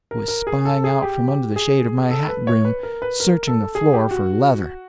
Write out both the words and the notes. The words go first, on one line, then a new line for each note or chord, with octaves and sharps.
I was spying out from under the shade of my hat brim, searching the floor for leather.
A#4
A#4
G#4
A4
G#4
G4
G4
G#4
A4
B4
C#5
B4
A#4
B4
A#4
A4
G#4
G4
F#4